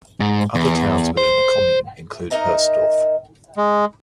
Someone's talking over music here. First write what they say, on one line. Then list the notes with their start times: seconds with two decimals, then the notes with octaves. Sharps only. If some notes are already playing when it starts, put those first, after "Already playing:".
Other towns within the commune include Hoesdorf.
0.20 G#2
0.55 E2
1.17 C5
2.30 A#3 D#4 A#4 D#5 E5 A#5
3.57 G#3